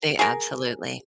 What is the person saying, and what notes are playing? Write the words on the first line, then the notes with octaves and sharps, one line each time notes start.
They Absolutely
G#4 A#4